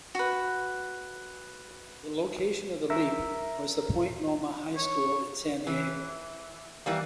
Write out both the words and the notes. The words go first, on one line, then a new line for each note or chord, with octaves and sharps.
The location of the "leap" was the Point Loma High School in San Diego.
F#4 B4
A#4 E5
C#5
E3
E3 G3 A#3